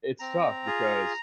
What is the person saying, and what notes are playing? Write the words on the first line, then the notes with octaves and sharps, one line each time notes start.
it's tough because,
C4 A#5
F4 G#4